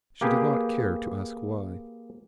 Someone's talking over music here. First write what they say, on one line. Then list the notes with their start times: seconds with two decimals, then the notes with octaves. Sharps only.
She did not care to ask why.
0.21 A#3 G4 G#4 B4